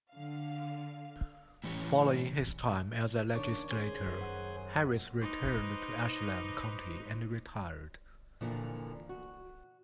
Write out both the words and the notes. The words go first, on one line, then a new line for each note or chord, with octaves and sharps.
Following his time as a legislator, Harris returned to Ashland County and retired.
D3 F5
A2 E3 C#4 G4
D#2 C#4 D4 C#5
G#4 C5
F#2
B4 F#5
D#4 B4 C5 D6
F2 A#2 D3 E3 F3
F#4